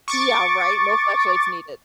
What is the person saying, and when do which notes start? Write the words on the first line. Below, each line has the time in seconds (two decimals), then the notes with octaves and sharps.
Yeah, right. No flashlights needed.
0.08 C#6 D6 A6